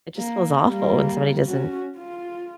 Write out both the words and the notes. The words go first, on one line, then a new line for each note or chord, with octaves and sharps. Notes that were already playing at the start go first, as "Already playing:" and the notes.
it just feels awful when somebody doesn't
A#3
G3 A#3
C#4 F#4
F4